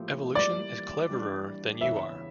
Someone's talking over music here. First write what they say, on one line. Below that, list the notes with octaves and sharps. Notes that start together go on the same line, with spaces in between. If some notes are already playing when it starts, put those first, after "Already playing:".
Evolution is cleverer than you are.
Already playing: A2 F3 A#3 E4 G4
E3 G3 D4 G4 D5
E3 G3 D4 G4
E2 C#3 E3 E5